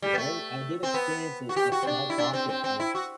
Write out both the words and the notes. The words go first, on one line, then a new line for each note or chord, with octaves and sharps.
So there w I did experience a small pocket of
G3
B3
A3
C4
B3
F#4
G4
F#4
C4
D4
E4
D4
C4
C4
C4
E4
F#4